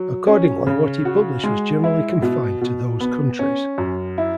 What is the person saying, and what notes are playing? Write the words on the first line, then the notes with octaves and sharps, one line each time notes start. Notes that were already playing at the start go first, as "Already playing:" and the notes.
Accordingly what he published was generally confined to those countries.
Already playing: F#3
C#4
C#3
F#4
G#3
E4
B2
B2
B3
C#4
F#2
E4